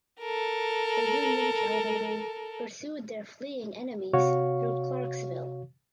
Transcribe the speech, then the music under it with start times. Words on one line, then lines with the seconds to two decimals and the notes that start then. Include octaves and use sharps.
The Union cavalry pursued their fleeing enemies through Clarksville.
0.21 A4 A#4
4.13 C3 F#4 C#5 F5 C#6